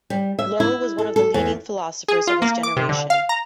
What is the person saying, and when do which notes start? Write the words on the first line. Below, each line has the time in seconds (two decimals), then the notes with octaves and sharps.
Lowe was one of the leading philosophers of his generation.
0.10 G3
0.39 E5
0.60 E4
0.98 A4
1.16 A4
1.34 E2
2.08 G#4
2.27 F4
2.42 A#3
2.63 D6
2.77 C3
2.89 D3
3.10 F5
3.29 A#5